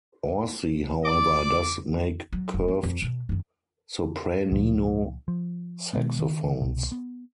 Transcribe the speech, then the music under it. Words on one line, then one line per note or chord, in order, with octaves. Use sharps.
Orsi, however, does make curved sopranino saxophones.
D5 D6
F#3
F1
B3
F2
B2
F#2 D#3
C#2 A#2 F3
F3
B2 D#3 G#3 B3
D#3
C2 B2
B3